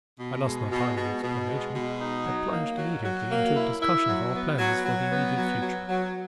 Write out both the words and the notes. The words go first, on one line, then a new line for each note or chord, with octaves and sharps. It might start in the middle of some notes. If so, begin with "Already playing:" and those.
I lost no time in explanation, but plunged immediately into a discussion of our plans for the immediate future.
B2
G#3
B2
B2
B2
G#3
B2
D#4
F#3
A#3
F#3
F#3
A#3
E4
E4
F#3
B3
F#3
F#3
B3
F#3
F#3
F#3